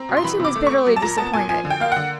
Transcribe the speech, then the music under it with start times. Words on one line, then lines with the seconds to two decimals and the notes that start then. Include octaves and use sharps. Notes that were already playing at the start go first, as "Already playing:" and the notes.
Archie was bitterly disappointed.
Already playing: C4 A#5
0.09 B2
0.17 C6
0.24 E3 B5
0.40 C3
0.45 D6
0.56 A3
0.67 C4 C#6
0.86 F#3
0.96 A5
1.02 A#2 A#5
1.18 B3 A5
1.33 A#2 G#5
1.49 F3 G#5
1.65 D3
1.70 G5
1.80 A#3 F5
1.92 D3 F#5